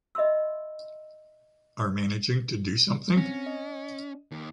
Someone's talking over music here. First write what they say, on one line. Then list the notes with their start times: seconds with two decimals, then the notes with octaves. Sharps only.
Are managing to do something?
0.15 D#5 E5 B5 C6 E6
3.16 C4 C#4 A#6 C#7
3.46 D#5
4.31 D#2 D#4